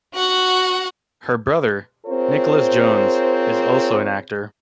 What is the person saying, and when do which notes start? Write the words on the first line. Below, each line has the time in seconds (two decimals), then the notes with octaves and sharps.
Her brother, Nicholas Jones, is also an actor.
0.15 F#4 F#5
2.06 C4 F4 G#4 A#4 C5 C#5